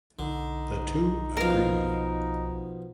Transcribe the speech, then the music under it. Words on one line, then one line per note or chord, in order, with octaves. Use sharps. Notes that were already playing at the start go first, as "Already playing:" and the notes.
The two agree.
B1 D3 D#4
B2 F3 A#4 F5